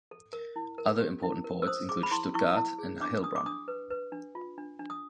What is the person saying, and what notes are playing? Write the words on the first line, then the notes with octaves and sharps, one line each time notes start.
Other important ports include Stuttgart and Heilbronn.
A4
A#4
E4
A#4
G4
E4
A#4
E6
C5 D#6
G#4 D6
B5
E4 C6
E4 C#6
E4
G#4
D4 D6
D4 D#6
D6
D4 D#6
B4
B4
D4
F4
D4
D4
D#6